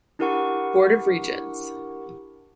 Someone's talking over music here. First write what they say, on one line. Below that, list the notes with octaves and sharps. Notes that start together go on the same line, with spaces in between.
Board of Regents.
D4 E4 G4 A#4 F#5 C#6